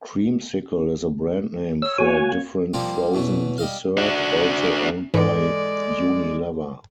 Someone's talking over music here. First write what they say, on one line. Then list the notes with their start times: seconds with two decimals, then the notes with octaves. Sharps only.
Creamsicle is a brand name for a different frozen dessert also owned by Unilever.
1.82 C#5 E6
1.98 A#3 F#4 C#5 G#5
2.74 F3 G3 A#3 C4 F4
3.14 E2 B2 F#3
3.58 G3 D#5 F5
3.98 D4 F#4
5.14 G#2 E3 G#3 A4 D5